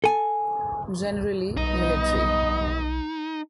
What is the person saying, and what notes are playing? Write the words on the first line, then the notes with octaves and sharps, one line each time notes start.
Generally military.
A4 G#5
B1 G3 B3 D#4 D#5